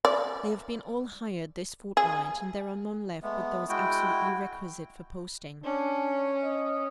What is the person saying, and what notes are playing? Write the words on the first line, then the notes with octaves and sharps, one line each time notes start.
"They have been all hired this fortnight, and there are none left but those absolutely requisite for posting."
D5
G#4
G#3 A3 B3
G#3 E4 F#4 G5
C#4 D4
D#5